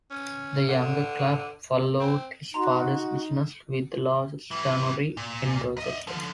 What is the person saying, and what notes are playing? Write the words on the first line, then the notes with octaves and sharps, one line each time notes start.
The younger Clapp followed his father's business with the largest tannery in Dorchester.
C#4
D3
C4
D#4 F#4 A#5 C6
E3 G3
A#2
D#5 E5
D3 F3